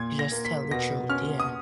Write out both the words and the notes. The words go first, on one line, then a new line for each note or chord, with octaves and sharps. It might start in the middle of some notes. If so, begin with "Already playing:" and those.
You just tell the truth, yeah.
Already playing: A#2 G#6
A#6
A#3
B6
B2 A#6
C#4 F6
D#6